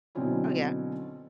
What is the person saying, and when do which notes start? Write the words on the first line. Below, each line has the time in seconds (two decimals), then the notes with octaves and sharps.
Oh, yeah?
0.15 B2 D3 F#3 C4 C#4 E4